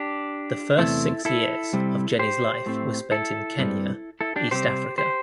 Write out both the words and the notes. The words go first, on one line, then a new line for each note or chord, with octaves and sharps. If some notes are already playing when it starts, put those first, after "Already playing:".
The first six years of Jenny's life were spent in Kenya, East Africa.
Already playing: D4 G4
E2 C3 A3 C4 E4 A4
E4 A4
C3 G3 C4
G4 C5
A2 A3 C4
E4 A4
G2 G3 C4
E4 A4
D4 G4
C3 G3 C4 G4 C5
G4 C5